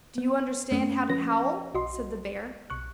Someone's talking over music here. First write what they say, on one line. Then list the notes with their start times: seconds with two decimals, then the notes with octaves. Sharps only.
'Do you understand how to howl?' said the bear.
0.18 B3
0.71 F#2 A3 C#4
1.10 F3 C#4 B4 A#6
1.74 B1 F#4 D#5 C6
2.70 B1 C#6 F#6